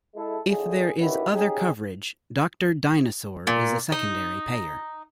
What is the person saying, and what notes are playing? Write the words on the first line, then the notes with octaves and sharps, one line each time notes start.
If there is other coverage, Doctor Dynasaur is a secondary payer.
G#3 E4 A4
F2 A2 D3 G#4
D#3 C#4 E4 F#4 G4 B4
C#4 D#4 G4 G#4
A#2
D#4